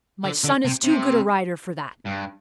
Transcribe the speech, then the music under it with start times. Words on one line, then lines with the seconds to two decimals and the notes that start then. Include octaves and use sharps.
My son is too good a rider for that.
0.24 D3
0.44 D3
0.65 C3
0.84 C3
2.06 G2